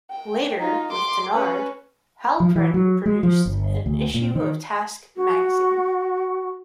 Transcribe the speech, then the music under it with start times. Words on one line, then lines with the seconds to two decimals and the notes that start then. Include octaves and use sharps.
Later, with Tunnard, Halprin produced an issue of Task magazine.
0.11 G5
0.59 D#4 F4
0.92 C6 D6
1.33 C#4 B4
2.40 F3
2.56 E3
2.74 F#3
3.06 G#3
3.23 F3
3.46 G1
3.86 D2
4.14 A#2
4.35 D#3
5.16 F#4